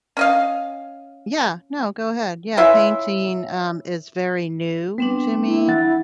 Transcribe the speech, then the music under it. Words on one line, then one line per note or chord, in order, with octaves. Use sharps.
yeah. No, go ahead, yeah, painting, um, is very new to me.
C#4 D#5 F5
E3 C#4 F4 E5
G3 B3 C4 D4
E4
E3 F#5 A6